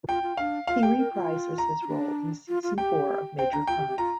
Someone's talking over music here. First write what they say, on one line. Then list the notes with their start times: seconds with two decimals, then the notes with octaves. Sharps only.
He reprises this role in season four of "Major Crimes".
0.08 F4 G5
0.23 F4
0.37 D4 F5
0.67 F4 F5
0.83 G4 G5
0.98 A#4
1.14 F4
1.58 A#5
1.82 F4
1.88 D4
2.48 F4
2.63 F4
2.78 G4 G5
3.38 C5 G5
3.53 D4 A#5
3.67 F4 G5
3.78 G4
3.88 G4
3.98 F4 A#5